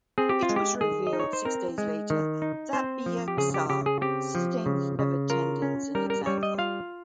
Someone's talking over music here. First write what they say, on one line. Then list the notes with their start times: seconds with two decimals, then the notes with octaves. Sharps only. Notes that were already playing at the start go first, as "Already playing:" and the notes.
It was revealed six days later that Bieksa sustained severed tendons in his ankle.
0.18 C4 G#4
0.29 G4
0.43 F4
0.49 G#3
0.56 G4
0.81 D#3 G#4
1.07 D#5
1.13 D#4
1.19 C#5
1.33 C5
1.45 C4 A#4
1.78 G#3
2.10 D#3
2.42 D#4
2.73 C4 C5
3.06 F3
3.28 G4
3.37 C#3 G#4
3.54 G4
3.70 C#3 G4
3.86 G#4
4.01 C4 G4
4.35 F3
4.66 C#3
4.99 C#3
5.30 F4 A#4
5.62 C#4
5.95 G3 A#4
6.10 A#4
6.26 G3 C#5
6.43 D#5
6.58 F4 F5